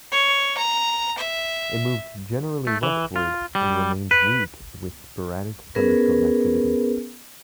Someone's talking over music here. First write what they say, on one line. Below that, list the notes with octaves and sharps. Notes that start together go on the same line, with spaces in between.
It moved generally westward, and remained weak with sporadic thunderstorm activity.
C#5
A#5
E5
A3
E3
F4
G3
B4
B3 C#4 G#4 A#4 B4